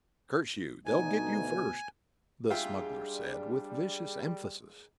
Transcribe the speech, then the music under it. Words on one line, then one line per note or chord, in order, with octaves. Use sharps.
"Curse you, they'll git you first!" the smuggler said, with vicious emphasis.
D2 B2 D#4 G#5
G#2 G3 D4 F4 G#4 E5 G5